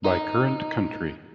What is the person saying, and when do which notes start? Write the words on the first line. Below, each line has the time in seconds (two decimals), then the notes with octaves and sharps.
By current country.
0.04 D#4